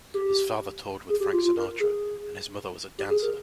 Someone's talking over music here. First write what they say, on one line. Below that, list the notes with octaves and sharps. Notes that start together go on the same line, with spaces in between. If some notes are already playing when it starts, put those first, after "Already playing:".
His father toured with Frank Sinatra and his mother was a dancer.
G4
G#4
G4
F4
F4
A#4
G#4
G4
G#4
A#4